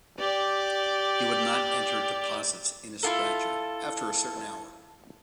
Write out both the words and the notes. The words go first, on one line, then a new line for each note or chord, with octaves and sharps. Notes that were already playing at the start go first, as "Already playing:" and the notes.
He would not enter deposits in his scratcher after a certain hour.
G4 D5
E4 F4 A4